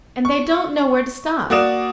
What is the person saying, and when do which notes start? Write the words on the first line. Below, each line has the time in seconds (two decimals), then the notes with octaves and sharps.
And they don't know where to stop.
0.25 C#6
1.50 A#3 F#4 D5 D#6 E7